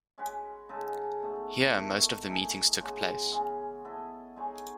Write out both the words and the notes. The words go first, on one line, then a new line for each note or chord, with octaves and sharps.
Here most of the meetings took place.
G#3 C#4 F#4 B4
C#3 G#3 D#4 A4
B2 A3 D#4
D#3 A3 E4
A3 D#4 G#4 D#5
C#3 G#3 B3 F#4
E3 G#3 C#4 G#4
B3 E4 A4 D#5
G#3 D#4 G#4 C#5